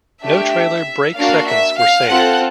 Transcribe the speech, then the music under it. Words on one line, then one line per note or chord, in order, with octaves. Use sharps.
No Trailer Brake Seconds were saved.
A3 D4 G4 E5
A#3 D4 F#4 F5
E5
F5
C4 F4 A4 F#5